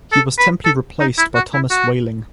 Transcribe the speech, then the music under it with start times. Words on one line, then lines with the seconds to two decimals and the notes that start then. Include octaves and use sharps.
He was temporarily replaced by Thomas Walling.
0.12 A4
0.38 B4
0.65 A4
1.00 D#4
1.18 E4
1.35 F#4
1.54 E4
1.71 F#4